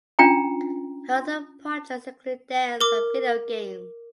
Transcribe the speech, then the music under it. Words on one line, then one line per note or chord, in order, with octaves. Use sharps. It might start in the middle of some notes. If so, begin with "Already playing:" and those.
Her other projects include dance and video games.
C#4 D4 F4 G5 A#5
A#4 D6